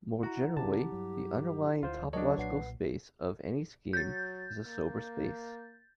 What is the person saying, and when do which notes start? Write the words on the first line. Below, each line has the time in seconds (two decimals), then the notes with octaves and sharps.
More generally, the underlying topological space of any scheme is a sober space.
0.23 E4 F#4 F#5 A#5
0.57 C#3 C#4 G4 A5
0.92 G2 F#3
1.83 D2 F4 C5
2.13 F#3 D4 A#4 C#5 D#5 A5
2.38 B1 A#2 B4 F#5 C7
3.93 F#3 G6 A6
4.67 A#3